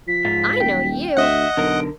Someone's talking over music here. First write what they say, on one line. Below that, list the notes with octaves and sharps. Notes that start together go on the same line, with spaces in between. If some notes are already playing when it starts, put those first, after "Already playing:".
"I know you!"
F3 B6
G#2 F4
D#1 G5
D2 D#5 E5 F#5
B1 D3 A#4 D7